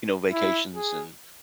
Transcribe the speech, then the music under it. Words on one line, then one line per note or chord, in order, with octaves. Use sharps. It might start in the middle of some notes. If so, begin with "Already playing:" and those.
you know, vacations, and
E4
G#4